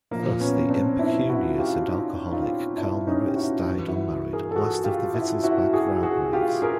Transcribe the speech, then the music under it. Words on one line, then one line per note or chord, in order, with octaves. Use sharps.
Thus the impecunious and alcoholic Karl-Moritz died unmarried, last of the Wittelsbach raugraves.
A#2 F3 A#3
B3 C#4
C4 D4
D4 E4
E4 F#4
F4 G4
D#4 F4
D#4 F4
D4 E4
C#4 D#4
G4
E4 F#4
G2 E3
E4 F#4
G#4 A#4
A4
F#4 G#4
F4 G4
E4 F#4
E4 F#4
F#4 G#4
F#4 G#4
F4 G4
G#4 A#4